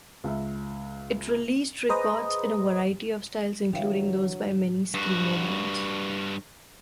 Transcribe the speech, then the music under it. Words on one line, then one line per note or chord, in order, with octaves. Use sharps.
It released records in a variety of styles including those by many screamo bands.
C#2 E5
G#4 B4 C5 D#5 A#5 D#6
D3 E3 F#3 E5 F5 G5
G2 F#4